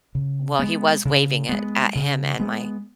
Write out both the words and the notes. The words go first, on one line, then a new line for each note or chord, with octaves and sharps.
well, he was waving it at him and my
C#3
G#3 B3
C#3
G#3 B3
C#3
G#3 B3